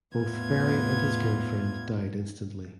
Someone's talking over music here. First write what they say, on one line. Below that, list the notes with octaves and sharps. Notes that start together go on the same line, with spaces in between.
Both Ferry and his girlfriend died instantly.
E2 A2 B3 F4 G#6